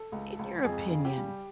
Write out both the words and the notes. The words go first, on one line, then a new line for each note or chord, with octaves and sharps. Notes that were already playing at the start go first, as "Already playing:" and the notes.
In your opinion,
Already playing: A4
C#2
C#2
F2 G#4
C#3
G4
G3